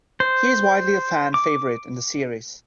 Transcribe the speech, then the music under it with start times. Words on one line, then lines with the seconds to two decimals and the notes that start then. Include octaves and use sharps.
He is widely a fan favorite in the series.
0.20 C5
1.34 D6